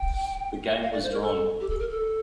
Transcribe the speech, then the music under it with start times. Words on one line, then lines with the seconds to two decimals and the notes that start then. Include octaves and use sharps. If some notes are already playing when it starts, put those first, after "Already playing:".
The game was drawn.
Already playing: G5
0.83 F5
0.93 D5
1.03 C5
1.12 A#4
1.22 A4
1.61 G4
1.69 A4
1.80 A#4
1.89 A4